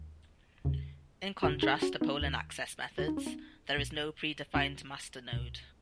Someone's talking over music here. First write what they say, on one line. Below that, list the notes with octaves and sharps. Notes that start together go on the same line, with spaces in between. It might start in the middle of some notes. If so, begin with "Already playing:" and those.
In contrast to polling access methods, there is no pre-defined "master" node.
Already playing: D#2
D#2 C#3
G#1 F#2 C#3 C#4 F#4
D#4 G#4
C#4 F#4
B3 D#4
D#2 D#3
D#2 D#3 F#4
D#4
C#4
B3 D#4
B1 B2
C#2 C#3 C#4 F#4
C#2 B2